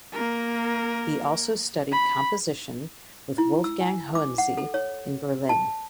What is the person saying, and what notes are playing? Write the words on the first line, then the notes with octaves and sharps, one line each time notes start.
He also studied composition with Wolfgang Hohensee in Berlin.
A#3 A#4
B5
E4
E6
G#5
D6
F#5
A4
C#5
A5